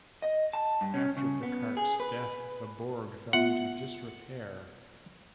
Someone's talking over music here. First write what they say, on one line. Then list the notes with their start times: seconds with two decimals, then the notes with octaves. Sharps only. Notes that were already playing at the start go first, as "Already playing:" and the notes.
After Piccardt's death the borg fell into disrepair.
0.22 D#5
0.53 A5
0.81 G2
0.94 C#4
1.17 C#3
1.43 B3
1.77 G#4
2.00 B4
3.33 B3 F4 E5 F#5